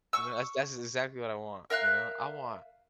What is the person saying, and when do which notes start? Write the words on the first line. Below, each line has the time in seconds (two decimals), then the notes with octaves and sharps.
You know, that's that's exactly what I want, you know, "I want
0.13 C#6 E6
1.70 A#4 E5 F5 F#6